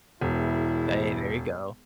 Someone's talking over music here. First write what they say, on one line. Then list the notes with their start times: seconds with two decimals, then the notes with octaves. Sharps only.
Hey, there you go.
0.21 E1 E2 E4